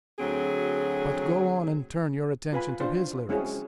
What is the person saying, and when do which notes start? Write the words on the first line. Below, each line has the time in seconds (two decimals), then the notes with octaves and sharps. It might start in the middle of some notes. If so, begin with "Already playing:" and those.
But go on and turn your attention to his lyrics.
0.19 D2 F#3 C4 G#4
2.53 F4 B4 G#5 B5
2.80 D4 F4 C5 A5
3.29 G#3 C4 C#4 E4 F#4 G#4